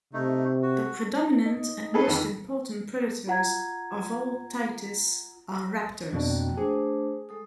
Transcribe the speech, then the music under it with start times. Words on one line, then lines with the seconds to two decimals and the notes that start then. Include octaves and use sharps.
The predominant and most important predators of all titis are raptors.
0.13 C3 A3 D#4
0.62 F#4
1.46 D#4
1.94 G#4 A4 B4
2.08 F2 D#3
3.28 F4 F#5 A#5 G#6
6.13 F2 B2 D4 F#4 D5
6.26 A#3 F#4 G5
6.57 A3 D4 G#4 C5
7.29 G#3 A4 D#6